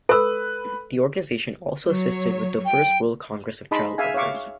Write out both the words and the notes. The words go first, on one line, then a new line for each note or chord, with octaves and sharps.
The organization also assisted with the First World Congress of Child Workers.
A4 B4 E6
F#3 C#5
G5
D#4 G#4 D#5 A5 B5 C6
G#4 E5 F5 G#5
C#5 E5 F5 C#6 D6